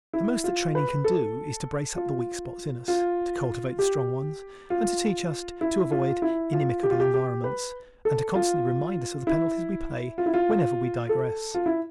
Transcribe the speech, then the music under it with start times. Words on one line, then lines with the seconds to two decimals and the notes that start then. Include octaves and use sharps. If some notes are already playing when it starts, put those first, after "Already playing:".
The most that training can do is to brace up the weak spots in us; to cultivate the strong ones; to teach us to avoid inimical environments; and to constantly remind us of the penalties we pay whenever we digress.
0.13 E4
0.44 F4
0.75 B4
1.04 A4
1.96 F4
2.88 F4
3.79 G4
4.70 F4
5.61 E4
5.92 F4
6.22 E4
6.53 F4
6.83 G4
6.91 F4
7.00 G4
7.14 G4
7.44 B4
8.05 A4
8.35 F4
9.27 E4
10.18 F4
10.26 E4
10.34 F4
11.09 A4
11.55 F4
11.66 E4